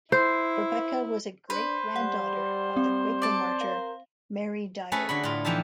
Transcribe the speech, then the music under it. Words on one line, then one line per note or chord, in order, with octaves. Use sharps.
Rebecca was a great granddaughter of the Quaker martyr Mary Dyer.
E4 C5
D4 B4 C5
G3 F#5
C4
D5 A5
A#4 F5
A3 C#4 G#4 A4 B4
D3 F#4 B5
A2 F4
E3 F3 D#4 G4 E5 A5